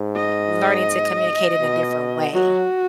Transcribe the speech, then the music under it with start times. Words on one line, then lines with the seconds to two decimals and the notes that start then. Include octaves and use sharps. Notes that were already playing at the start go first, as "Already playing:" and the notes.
learning to communicate in a different way.
Already playing: G#2
0.16 D#5
1.61 B2
2.33 F#3 F#4